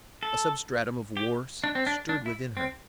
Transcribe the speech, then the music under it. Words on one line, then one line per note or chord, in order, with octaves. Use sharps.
A substratum of war stirred within her.
A4
G4
D4
C4
D4
D4
E4
C4